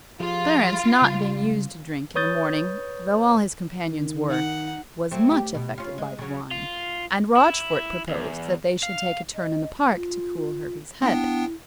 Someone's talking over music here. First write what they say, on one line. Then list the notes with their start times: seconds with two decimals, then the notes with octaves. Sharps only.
Clarence not being used to drink in a morning, though all his companions were, was much affected by the wine, and Rochfort proposed that they should take a turn in the park to cool Hervey's head.
0.20 F3 F4 G4 G#4
1.02 C#3 G3
2.15 B4 C#5 D#6 G6 A6
3.87 D#3
4.30 D#4 F#5
5.11 F#3 A3 C4
5.31 G4
5.55 B2
5.78 C#4 F4
5.98 G#3
6.19 C#3 F#3
6.51 F4
7.36 E4
8.09 E2
8.83 F5
9.33 D#5
9.91 F4
11.02 B3 D4 E4 G5